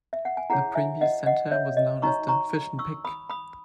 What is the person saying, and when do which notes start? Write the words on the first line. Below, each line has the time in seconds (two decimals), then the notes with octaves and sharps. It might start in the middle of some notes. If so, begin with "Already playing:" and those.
The previous center was known as the "Fish N Pic".
0.13 E5
0.25 F#5
0.37 G#5
0.50 E4 G#4 C#5 F#5 A#5
0.75 E5 G#5
1.01 D#5 F#5
1.26 D#5 F#5
1.51 C#5 E5
1.77 D#5
2.02 D#4 F#4 C#5 A#5 C#6
2.28 A#5 C#6
2.79 C#6 E6
3.05 B5 D#6
3.30 B5 D#6